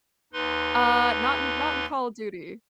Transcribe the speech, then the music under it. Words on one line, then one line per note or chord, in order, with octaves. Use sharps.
Uh, not in not in Call of Duty.
D#2 D#4 B4 C6